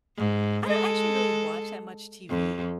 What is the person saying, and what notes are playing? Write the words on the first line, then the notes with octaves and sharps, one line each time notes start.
I don't actually really watch that much TV.
G#2
G#3 A4
F2